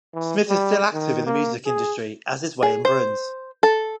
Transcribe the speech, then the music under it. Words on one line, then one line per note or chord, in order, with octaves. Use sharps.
Smith is still active in the music industry, as is Wayne Bruns.
E3
G3
D#3
A#3
G#4
G#4
C5
A4